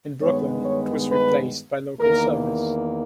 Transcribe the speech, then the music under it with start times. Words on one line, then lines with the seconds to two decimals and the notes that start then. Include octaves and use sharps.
In Brooklyn, it was replaced by local service.
0.21 G2 D#3 G#3 B3 C#5
0.65 C#5
1.11 B4
1.99 E2 D#3 A#3 A#4